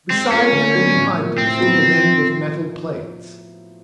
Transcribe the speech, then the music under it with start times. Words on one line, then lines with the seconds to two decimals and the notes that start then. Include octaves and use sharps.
Beside him and behind him stood the men with metal plates.
0.10 G#3 C4
0.32 C4 C#4 F4 A4
0.52 D3
0.74 F#3 B3 D4
0.95 A2
1.17 F3 A#3
1.38 A2 C4
1.59 F#3 B3
1.81 F3